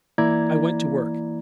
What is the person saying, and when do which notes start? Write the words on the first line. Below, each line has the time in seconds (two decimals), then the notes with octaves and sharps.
I went to work.
0.18 E3 A#3 E4 D5 A#5 G#6